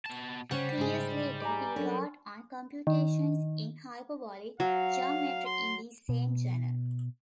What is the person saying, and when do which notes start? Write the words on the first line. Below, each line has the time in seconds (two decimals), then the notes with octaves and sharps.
Two years later he wrote on computations in hyperbolic geometry in the same journal.
0.06 B2 A5
0.51 C#3 G3 C#4 C5 F#5
0.78 G#2 G#4
1.42 G4 G#5 A#5 D6
1.76 F#3 C#4 D4 A4 A#4
2.87 D#3
4.60 F#3 F5
5.46 C6
6.09 B2